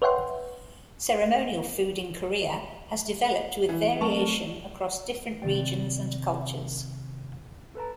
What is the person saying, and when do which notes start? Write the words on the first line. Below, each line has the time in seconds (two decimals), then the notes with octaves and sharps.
Ceremonial food in Korea has developed with variation across different regions and cultures.
0.02 B4 C#5 E5 F#5 G5 C6
3.69 E3
4.01 F#3 A3 C4 A#4 A5 C#6
5.42 C3 D#3 D5 G5
7.75 A4 B4 A5 A#5